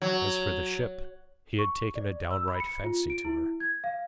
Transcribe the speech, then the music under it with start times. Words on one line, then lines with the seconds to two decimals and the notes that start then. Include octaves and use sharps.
As for the ship, he had taken a downright fancy to her.
0.02 F#3
1.59 C#6
1.95 D5
2.31 E6
2.48 B5
2.60 C#7
2.84 F4
3.10 D7
3.25 E4
3.60 G#6
3.84 F5